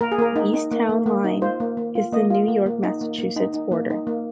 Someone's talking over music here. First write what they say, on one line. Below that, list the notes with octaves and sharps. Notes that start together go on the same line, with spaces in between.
The east town line is the New York - Massachusetts border.
A#3 A#4
G#4
A#3 A#4
D#4
D#4
A#3
A#3
A#3
D#4
F4 C5
A#3
A#3
F4
A#3 D#5
F4
A#3
A#3
D#4
A#3
A#3
D#4
D#4
A#3
D#4
A#3